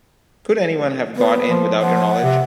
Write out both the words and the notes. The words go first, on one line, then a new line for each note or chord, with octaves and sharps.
Could anyone have got in without your knowledge?
B3
F3
F3 F#5
C3